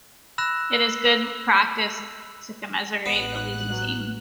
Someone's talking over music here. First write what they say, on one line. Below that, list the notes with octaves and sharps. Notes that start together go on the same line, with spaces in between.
It is good practice to commiserate the losing team.
B5 E6 F#6 A#6 E7
A1 B3 B4 F#6
F#3